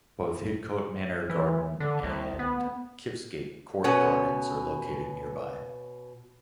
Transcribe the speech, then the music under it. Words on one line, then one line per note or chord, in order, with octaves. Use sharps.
Both Hidcote Manor Garden and Kiftsgate Court Gardens are located nearby.
E3
D3
C2
B3
B2 B3 C#4 C#5